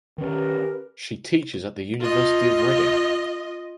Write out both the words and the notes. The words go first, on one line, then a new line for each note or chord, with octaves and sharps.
She teaches at the University of Reading.
D#3 C#4 G4 A#4 B4
F4 D#5